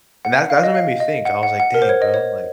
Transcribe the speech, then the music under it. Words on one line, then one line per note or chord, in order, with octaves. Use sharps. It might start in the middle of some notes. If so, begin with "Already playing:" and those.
And that that's what made me think, I was like, "Dang, bro," like
F#5
F5
D#5
F5
D#5
F#5
F#5
F#5
A#4
C5
C#5
D#5
C#5